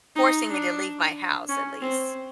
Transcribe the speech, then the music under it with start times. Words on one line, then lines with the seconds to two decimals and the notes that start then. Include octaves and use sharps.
forcing me to leave my house, at least,
0.16 D#4
0.49 D4
1.49 C#4
1.81 C4